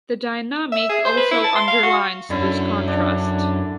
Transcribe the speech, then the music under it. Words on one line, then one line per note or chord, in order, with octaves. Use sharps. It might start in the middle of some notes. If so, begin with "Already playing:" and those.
The dynamic also underlines this contrast.
E5
G#4
C5
B4
E4
A5
C6
F5
F#4
F#2 D3 C#4 E4
D4